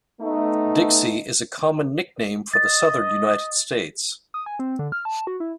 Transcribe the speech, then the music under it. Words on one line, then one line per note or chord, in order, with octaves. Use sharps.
"Dixie" is a common nickname for the southern United States.
A3 B3 D#4
D#5 A6
D#6
G#5
C4
D3
F6
A5
F#4
E4